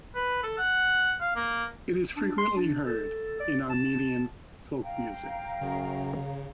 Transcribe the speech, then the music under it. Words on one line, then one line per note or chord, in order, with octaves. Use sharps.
It is frequently heard in Armenian folk music.
B4
A4
F#5
F5
A#3
D4
C6
D4
A4
D5
A5
F5 G5 A#5
F#2 C#3